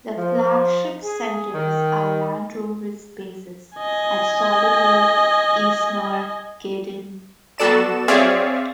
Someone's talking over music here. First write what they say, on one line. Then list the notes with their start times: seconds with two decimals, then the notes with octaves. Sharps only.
The flagship centres are Land Rover's bases at Solihull, Eastnor, Gaydon and Halewood.
0.17 F3
1.03 G#4
1.53 D#3
3.77 D#5 G#5
7.59 B3 F#4 A4 D5 E7
8.08 C4 G#4 C#5 D5 E5 F5